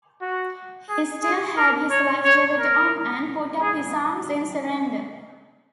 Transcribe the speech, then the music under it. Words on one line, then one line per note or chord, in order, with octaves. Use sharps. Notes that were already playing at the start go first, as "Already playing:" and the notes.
He still had his life-jacket on and put up his arms in surrender.
F#4
G#4
G#4
A#4
C#5
C#5
A#4
G#4